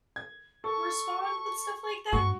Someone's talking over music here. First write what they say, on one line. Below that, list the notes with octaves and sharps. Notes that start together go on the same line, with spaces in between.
respond with stuff like that.
G#6
A4 C#6
G2 F#4 C#6